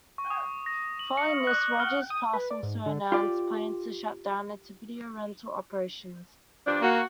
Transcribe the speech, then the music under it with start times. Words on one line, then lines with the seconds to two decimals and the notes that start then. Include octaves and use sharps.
Following this, Rogers Plus also announced plans to shut down its video rental operations.
0.18 C#6
0.30 D#6
0.66 A#6
0.99 F#7
1.17 C#7
1.47 F#6
1.80 F6
2.10 D#6
2.33 B4
2.51 D5
2.63 G#2
2.86 D3
3.12 F4 G4 D5
6.65 G2 F3 D4
6.82 A#3 F#4